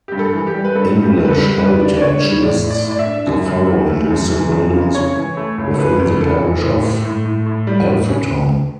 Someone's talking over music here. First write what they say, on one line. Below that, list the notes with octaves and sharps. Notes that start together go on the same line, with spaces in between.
English Heritage lists the following listed buildings within the parish of Alpheton.
G2 G4
A4
E3
G4
G3
B4
G2 A4
G2
G4
G2
B4
A4
G3
G3 B4
D4
D5
D4 C#5
G3
A2 D5
A2
D5
A2
D5
E5
D4
F#2
F#2
E3
A3
F#2
E3
F#2
C#3
C#3 C#5
E3
A3
C#2
A4
C#2 B4
C#2
C#3 A4
E3
A2
A2
A2
A2
A2
G3
A2
C#4